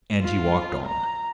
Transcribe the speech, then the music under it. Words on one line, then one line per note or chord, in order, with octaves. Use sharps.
And he walked on.
F4
A#5